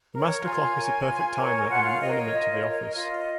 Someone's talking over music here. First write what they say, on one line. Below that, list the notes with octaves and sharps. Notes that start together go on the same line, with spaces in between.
The master clock is a perfect timer and an ornament to the office.
A#4 C#5
F4 G#5
A#4 C#5
F4
A#4 C#5
F4 F#5
F5
A#4 C#5 D#5
C#5
F4 D#5
C#5
A#4 C#5
D#5
F4 D#5